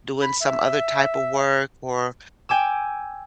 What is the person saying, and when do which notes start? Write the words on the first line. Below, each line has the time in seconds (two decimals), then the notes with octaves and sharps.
doing some other type of work or,
0.21 B5
0.41 E5
2.49 G5 G#5 D6 E6